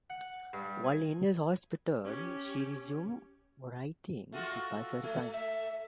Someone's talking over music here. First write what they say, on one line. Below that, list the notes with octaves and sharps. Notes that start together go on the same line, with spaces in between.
While in the hospital, she resumed writing to pass her time.
F#5
G2
G#5
C#4 G4
A3 F4 F#4
A3
E5